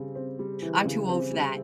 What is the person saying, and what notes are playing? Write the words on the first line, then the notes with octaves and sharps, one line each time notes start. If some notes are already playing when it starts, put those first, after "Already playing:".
I'm too old for that.
Already playing: C#3 G3 C4
C4
G3
E3
C#3
C4
G3